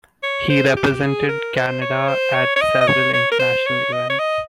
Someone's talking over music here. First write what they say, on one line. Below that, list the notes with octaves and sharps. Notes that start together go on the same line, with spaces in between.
He represented Canada at several international events.
C#5
C5
G#4
G4
G#4
A#4
C5
C#5
C5
C#5
C#5
D#5
D#5
C#5
C#5
A#4
C5
C#5
D#5
C#5
D#5